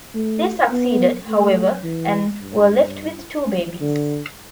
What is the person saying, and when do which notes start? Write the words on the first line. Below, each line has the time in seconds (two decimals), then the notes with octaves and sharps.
They succeeded, however, and were left with two babies.
0.15 A3
0.71 B3
1.28 A3
1.84 E3
2.41 G2
3.81 D3